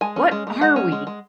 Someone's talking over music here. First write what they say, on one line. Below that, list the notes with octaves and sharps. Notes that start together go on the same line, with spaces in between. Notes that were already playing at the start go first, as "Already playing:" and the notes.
What Are We?
G#3 G#5
C#4
G#3
G#3
G#3 F#5
C#4
G#3
G#3